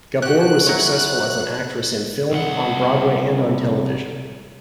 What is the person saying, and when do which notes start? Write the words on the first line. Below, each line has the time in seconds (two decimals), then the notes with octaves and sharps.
Gabor was successful as an actress in film, on Broadway and on television.
0.22 F#4 G4 F#6
0.67 F#3 E4 C#5
2.32 C2 F#5